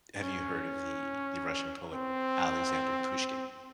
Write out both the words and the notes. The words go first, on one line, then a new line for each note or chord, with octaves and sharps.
have you heard of the the Russian poet Alexander Pushkin?
C#4
C4